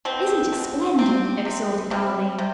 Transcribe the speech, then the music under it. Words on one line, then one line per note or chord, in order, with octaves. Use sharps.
"Isn't it splendid!" exulted Arline.
B2 C4
B2
C3 C4
C3
C3
C3